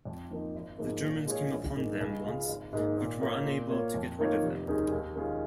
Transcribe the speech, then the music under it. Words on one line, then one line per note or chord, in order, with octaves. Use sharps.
The Germans came upon them once but were unable to get rid of them.
F2
F3 A#3 D#4
G#1
G#2 F3 A#3
A#2
G#3 F4 C#5
A#1
G#2 D#3 A#3
C#2
C#3 G#3 F4
G#1
G#2 D#3 A#3
A#2
A#3 F4 C#5
A#2
A#3 F4 C#5
F2
D#3 A#3 F4 C#5
F1
D#2 D#3 C#4 G#4
D#2
D#3 G#3 C#4 F4